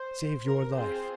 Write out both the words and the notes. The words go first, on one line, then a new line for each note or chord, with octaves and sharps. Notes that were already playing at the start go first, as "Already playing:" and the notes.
Save your life!
Already playing: C5
A#4
C4 F4 G#4 C5